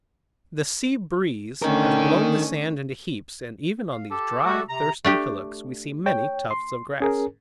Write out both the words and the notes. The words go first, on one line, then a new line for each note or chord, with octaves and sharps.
The sea breeze has blown the sand into heaps, and even on these dry, thirsty hillocks we see many tufts of grass.
D3 A3 C#4 D#4 A#4
F5
G4 A4 A5
G3 A3 F#4
C3 A#5
A3 D4 G4
C#5 G5
C6
C#4 G#4 A#4